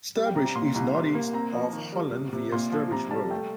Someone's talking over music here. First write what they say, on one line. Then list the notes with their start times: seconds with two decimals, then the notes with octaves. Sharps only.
Sturbridge is northeast of Holland via Sturbridge Road.
0.16 G3
0.26 G5
0.35 C3 A#5
0.45 A#5
0.55 A#2 C6
0.75 C2 A#5
0.94 C3 C6
1.15 A#3
1.33 C4 A#5
1.53 F3
1.73 D#3
1.92 G3
2.12 C3
2.33 C3
2.52 A#2 C6
2.72 F3
2.91 C3 A#5
3.11 G3 A5
3.31 A3 G5